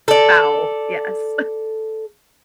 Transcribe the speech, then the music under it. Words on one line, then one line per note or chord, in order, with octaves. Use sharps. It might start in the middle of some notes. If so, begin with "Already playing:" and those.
Foul, yes.
A4 D5